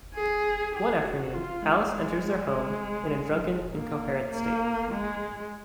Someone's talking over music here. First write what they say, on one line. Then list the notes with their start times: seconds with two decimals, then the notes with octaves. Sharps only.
One afternoon, Alice enters their home in a drunken incoherent state.
0.14 G#4
0.74 G#4
1.04 F#4
1.34 F4
1.63 G#3
1.93 G#3
3.72 A#3
4.31 A#3
4.91 G#3